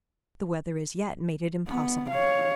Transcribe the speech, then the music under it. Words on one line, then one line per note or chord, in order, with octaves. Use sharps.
The weather as yet made it impossible.
B3
C#5 F5